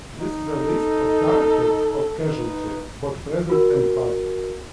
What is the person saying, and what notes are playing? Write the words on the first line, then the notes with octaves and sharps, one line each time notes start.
This is a list of characters of "Casualty", both present and past.
D#4
A4
D#4 B4
F#4 A#4